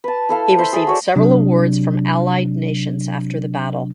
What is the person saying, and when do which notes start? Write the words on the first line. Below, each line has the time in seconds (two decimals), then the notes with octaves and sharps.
He received several awards from allied nations after the battle.
0.04 B4 A5
0.29 E4 A4 F5
0.58 C5 E5 B5
0.73 G#4 A4 E5 E6
0.87 F#4 C#5 D5
1.16 C3 F#3 D4